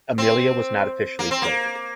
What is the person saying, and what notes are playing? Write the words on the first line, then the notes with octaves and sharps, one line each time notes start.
Amelia was not officially platted.
C4
A#3
C4
A#3